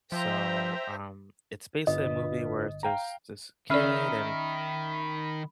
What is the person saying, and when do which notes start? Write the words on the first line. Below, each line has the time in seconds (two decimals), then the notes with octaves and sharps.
So, um, it's basically a movie where there's this kid and
0.12 F3 C5 E5 G5 A#5
1.87 G1 D4 F4 B4 D#5
2.83 F5 G5 A#5
3.70 D#3 C#4 D5 E5 B5 F6